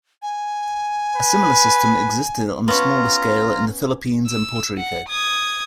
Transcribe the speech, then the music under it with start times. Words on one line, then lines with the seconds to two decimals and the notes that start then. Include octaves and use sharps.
A similar system existed on a smaller scale in the Philippines and Puerto Rico.
0.22 G#5
1.16 B4
2.68 B3 C#4 F4 A#5
4.27 E6
4.78 F#5
5.09 D#6 G#6